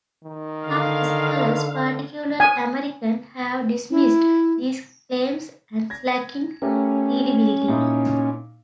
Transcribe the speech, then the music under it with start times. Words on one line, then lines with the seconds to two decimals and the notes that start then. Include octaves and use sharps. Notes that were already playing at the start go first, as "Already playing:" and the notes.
Some scholars, particularly American, have dismissed these claims as lacking credibility.
0.24 D#3
0.64 D3 F5
2.40 G#5
3.91 E4
5.90 G#6 A#6
6.62 A3 C#4 G4 A#4
7.68 A#2 D#4 E4